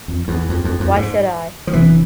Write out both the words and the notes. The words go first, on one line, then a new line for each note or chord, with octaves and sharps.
Why should I?
F2
E2
F2
F2
F2
G#2
F3
E1 E2 C3 E3